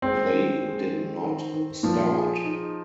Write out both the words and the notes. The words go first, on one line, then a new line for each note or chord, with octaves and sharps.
They did not start.
G#3 C4
D#3
G#3
D#3
D#3
D#3
A#2 F3
G#4
D#4